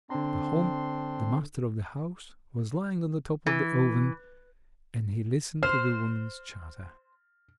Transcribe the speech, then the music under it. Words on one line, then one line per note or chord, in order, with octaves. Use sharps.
Pahom, the master of the house, was lying on the top of the oven, and he listened to the women's chatter.
D3 C4 D4 A#5 C6
E3
C5 F6